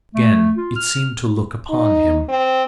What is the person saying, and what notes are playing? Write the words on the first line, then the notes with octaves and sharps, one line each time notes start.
Again it seemed to look upon him.
A3
F4
F6
D#4
C4